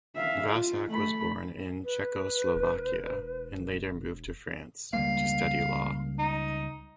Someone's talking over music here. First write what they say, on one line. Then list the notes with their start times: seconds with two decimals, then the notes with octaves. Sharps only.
Vasak was born in Czechoslovakia and later moved to France to study law.
0.16 E5 F5
0.53 F4
0.91 A3 B5
1.84 B4
2.55 E1
4.93 C#2 G3 A#3 F5
6.19 D#4